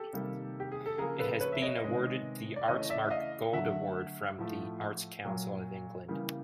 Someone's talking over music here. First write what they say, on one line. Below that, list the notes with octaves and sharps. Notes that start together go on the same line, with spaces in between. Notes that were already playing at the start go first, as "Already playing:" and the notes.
It has been awarded the Artsmark Gold Award from the Arts Council of England.
Already playing: G4 A4
C3 D#3 G3 A#3
G4
G#4
A4
C#3 F3 A#3 G#4 A#4
A4 B4
B4 C#5
E5
C#5 D#5
C3 D#3 G#3 B3
D5
C#3 E3 A3 C#5 D#5
D5 E5
D#5 F5
D3 F#3 A3 E5 F#5
A2 F3 A3
A#2 F#3 A#3
C#3 E3 G3 A#3